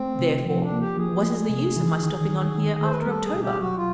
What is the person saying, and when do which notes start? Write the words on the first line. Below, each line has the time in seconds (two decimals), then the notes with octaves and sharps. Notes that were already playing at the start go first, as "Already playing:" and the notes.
Therefore, what is the use of my stopping on here after October?
Already playing: A3 C4
0.19 C3
0.45 F3 C4
0.63 D4
0.72 A#3
0.81 G4
0.97 F3 G#4
1.24 A3
1.50 C3
1.76 E3
2.03 D#3
2.29 D#3
2.55 D#3
2.81 A3 C5
2.91 B4
3.00 A#4
3.07 G3 A4
3.25 G#4
3.34 B2
3.42 G4
3.60 F#3 F#4
3.77 F4